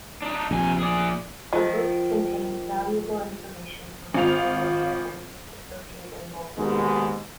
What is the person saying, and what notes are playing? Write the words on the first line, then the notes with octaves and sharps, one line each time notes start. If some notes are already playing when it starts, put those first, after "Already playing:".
The book contains valuable information on agriculture and its associated lore.
D4 D#4
A#1 C3 G#5
G#4 D5
D#3 F3
G#1 F4 F7
D#2 G#2 B2 G#3